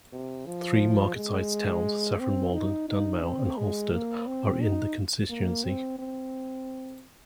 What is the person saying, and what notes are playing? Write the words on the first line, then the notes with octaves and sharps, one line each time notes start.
Three medium-sized market towns, Saffron Walden, Dunmow and Halstead are in the constituency.
C3
F3
G#3
C4
D#4
D#4
C4
G#3
A#3
C4
D#4
A#3
C4
C4